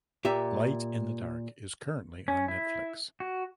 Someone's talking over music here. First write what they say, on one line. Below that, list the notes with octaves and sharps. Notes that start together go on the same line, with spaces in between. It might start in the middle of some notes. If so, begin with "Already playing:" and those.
Light In The Dark is currently on Netflix.
A#2 G4 E5
C#4
E4
F#4